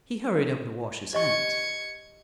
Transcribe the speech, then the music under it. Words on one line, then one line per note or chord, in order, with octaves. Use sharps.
He hurried over to wash his hands.
G4 D#5 C#6 G#6 C#7